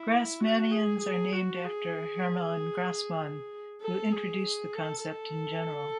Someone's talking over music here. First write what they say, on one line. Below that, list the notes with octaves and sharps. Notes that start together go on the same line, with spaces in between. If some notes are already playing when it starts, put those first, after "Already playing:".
Grassmannians are named after Hermann Grassmann, who introduced the concept in general.
Already playing: E4
F#4
G#4
G#4
F#4
G#4
A4
G#4
A4
A4